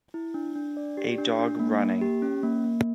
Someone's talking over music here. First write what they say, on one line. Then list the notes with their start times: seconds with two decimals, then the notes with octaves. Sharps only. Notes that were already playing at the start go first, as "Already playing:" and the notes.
A dog running.
0.14 E4
0.34 D4
0.55 D4
0.77 D5
0.97 G4
1.18 D4
1.39 D4
1.60 A#3
1.80 A#3
2.01 G4
2.22 C#4
2.43 A#3
2.64 A#3